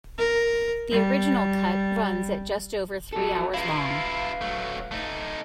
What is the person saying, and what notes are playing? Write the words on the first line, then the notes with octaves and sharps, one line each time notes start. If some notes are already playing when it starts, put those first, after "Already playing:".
The original cut runs at just over three hours long.
A#4
G3
F#3 A4
E4 F4 B4 F5
F#3 A3
A3 D#4